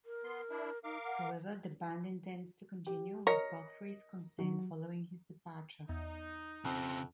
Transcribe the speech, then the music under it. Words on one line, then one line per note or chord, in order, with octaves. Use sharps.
However, the band intends to continue, with Godfrey's consent, following his departure.
A#4
B3 C6
D4 E4
D#4 A#4 F5 D6
F#5
G4
A#4 C#5 D#5 A#6 C#7
F#3
E2 D#4
F2 C#3 C4